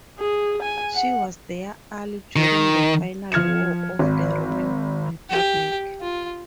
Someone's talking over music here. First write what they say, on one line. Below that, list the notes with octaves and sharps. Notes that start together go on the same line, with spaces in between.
She was their ally during the Final War of the Roman Republic.
G#4
G#5
F#5
D#3
F3 F6 G#6 C#7 E7
G#1
G4
F4